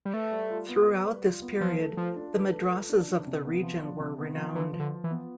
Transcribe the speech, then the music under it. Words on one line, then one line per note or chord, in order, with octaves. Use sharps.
Throughout this period, the madrasahs of the region were renowned.
G3
A3 B4
G3
F4
B3
B4
G3
F4
B3
F3 B4
A3
F3 F4
D4
B4
A3
F4
D4
D4
C3
B3
F3
D4
C3
B3
F3
E3 B4
F3
D3
F4
E3
B3